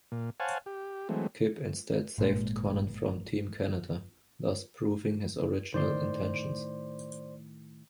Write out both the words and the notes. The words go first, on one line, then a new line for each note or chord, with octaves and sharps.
Kip instead saved Konnan from Team Canada, thus proving his original intentions.
A#2
C5 C#5 F5 F#5 G#5 A5
G4
E3 F#3 G#3 A3 C4
G#1 A#2 G#3
A2 D#3 C5 D5 C6